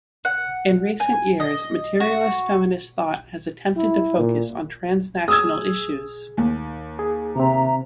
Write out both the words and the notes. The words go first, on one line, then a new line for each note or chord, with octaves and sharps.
In recent years materialist feminist thought has attempted to focus on transnational issues.
F#5
G#5
D#5
F#4
E4
A#2
G#4 D#6 E6 G#6
D#2
G#4
C3 C4 E5 A#5